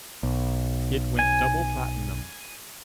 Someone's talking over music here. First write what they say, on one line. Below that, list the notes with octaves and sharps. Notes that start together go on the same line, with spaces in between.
It went Double Platinum.
B1
G#5